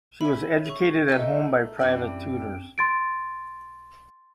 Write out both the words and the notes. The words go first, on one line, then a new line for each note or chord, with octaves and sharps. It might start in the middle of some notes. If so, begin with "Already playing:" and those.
She was educated at home by private tutors.
C#4 E5 B5
G#4 C#6
A3 D#4 E5 E6
F#2 E3 G3 C4 D4 G5
C6 A6 D7